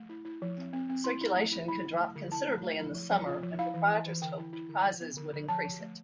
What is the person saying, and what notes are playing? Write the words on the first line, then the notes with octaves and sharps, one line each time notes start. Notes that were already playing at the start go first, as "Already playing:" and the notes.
Circulation could drop considerably in the summer and proprietors hoped prizes would increase it.
Already playing: A3
E4
E4
F3
C4
C4
C4
E4 C6
E4
A3
E4
E4 B5
D3
A3
D3
E4 A5
A3
A3
E4
F3
F3
F4
F3
E4 F5
E3
E4
E3
D3 G5
E4
E4
D3
F3
B3
D3
D3
F3 A5
F3
A3